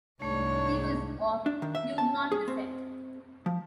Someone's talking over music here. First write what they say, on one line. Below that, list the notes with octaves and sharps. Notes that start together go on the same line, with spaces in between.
He was of Huguenot descent.
C2 G#2 A3 D4 C#5
D4
D#3
E5
A5
G#4
C4
F3